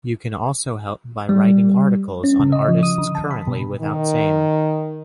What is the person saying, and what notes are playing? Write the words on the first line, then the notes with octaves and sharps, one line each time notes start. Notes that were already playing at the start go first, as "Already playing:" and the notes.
You can also help by writing articles on artists currently without same.
G3
C#4
C#3
D#5
F3
D#6
D3
A5
B5
B2
D#3